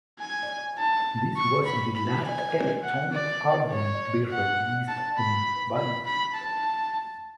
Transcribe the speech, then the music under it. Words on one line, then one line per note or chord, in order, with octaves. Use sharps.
This was the last Electronic album to be released on vinyl.
G#5
A5
C#6
B5
B5
G#5
F#5
D5
C#5
F#5
A5
B5
B5
B5
A5